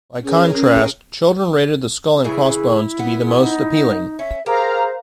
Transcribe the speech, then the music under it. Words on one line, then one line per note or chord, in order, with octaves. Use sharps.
By contrast, children rated the skull-and-crossbones to be the most appealing.
C#4 G#4 A#4
C#3 E3 E4 G#4
B3
G#4
D#4
C#4 E5
G4 G#4 A#4 C5 F5 A#5